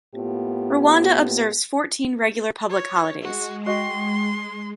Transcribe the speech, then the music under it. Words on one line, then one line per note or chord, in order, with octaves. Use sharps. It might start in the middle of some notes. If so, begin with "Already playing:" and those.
Rwanda observes fourteen regular public holidays.
A2 A#3 B3 F4 G4
C#5
G#3 F#4
F#4 D#5 G5 C6